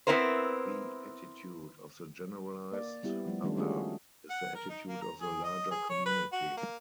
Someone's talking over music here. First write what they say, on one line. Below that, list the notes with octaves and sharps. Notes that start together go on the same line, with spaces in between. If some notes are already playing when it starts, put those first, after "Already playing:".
The attitude of the generalized other is the attitude of the larger community.
B3 C4 E4 A#4 C5
A#3 D5
G3 B3 E4 G4
F3 G3 A3
D#3 G3 A3 C#4 D4
G#3 A3 C#4 F4 F#4 G#4
F#5
A#4
D#4
A#3
A#5
G#4
D#5
G#4
C#5
B4
F#4
A#3